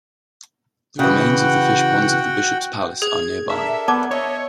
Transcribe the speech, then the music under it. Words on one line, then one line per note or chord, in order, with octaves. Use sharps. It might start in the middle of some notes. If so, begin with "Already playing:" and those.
The remains of the fishponds of the bishop's palace are nearby.
C#3 E3 F#4 F#5 G5
G#4 G#6
D4 A4 A#4 E5
B3 D5 A5 D6
C#5 D#5 E5